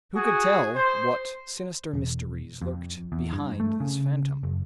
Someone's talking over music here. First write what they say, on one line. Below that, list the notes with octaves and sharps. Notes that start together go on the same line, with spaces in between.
Who could tell what sinister mysteries lurked behind this phantom?
F#4 G#4
C5
E1
F2
E2
G2
A3
C#3
F#1